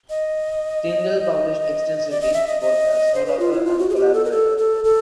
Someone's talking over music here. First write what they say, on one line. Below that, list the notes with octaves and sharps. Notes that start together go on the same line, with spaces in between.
Tindale published extensively, both as sole author and collaborator.
D#5
D5
D#5
E5
D#5
D#5
C5
B4
F4
E4
F4
F#4
G#4
G4
A4
A#4
A4
A4
A4